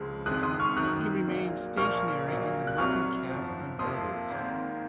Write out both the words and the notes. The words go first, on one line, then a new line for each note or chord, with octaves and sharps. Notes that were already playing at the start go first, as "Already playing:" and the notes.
He remained stationary in the muffin-cap and leathers.
Already playing: C#2 C#3 F3 G#3
F#1 F2 D#3 G#3 D#6 F#6
C6 D#6
C#6 F6
F#2 D#3 F#3 D#6 F#6
A#1 A#2 F#3 A#3
A#1 A#2 F3 A#3 C#6 F6
A#1 A#2 F#3 A#3
F#6
C2 C3 F#3 C#6 F6
G#1 F#2 F3
F2 C3 F3 A#3 C6 D#6
G#1 G#2 D#3 A#3